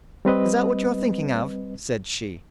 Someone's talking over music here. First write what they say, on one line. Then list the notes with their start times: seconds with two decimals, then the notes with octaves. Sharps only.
Is that what you're thinking of?' said she.
0.25 G3 C4 B4 D#5